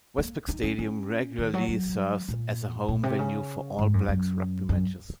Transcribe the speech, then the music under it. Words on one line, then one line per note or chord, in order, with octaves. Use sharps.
Westpac Stadium regularly serves as a home venue for All Blacks rugby matches.
A#3
D#4
C#4
C#4
D#3
F#3
F#3
A#2
A#2
C3
C#3
G#2
F#2
F#2
F#2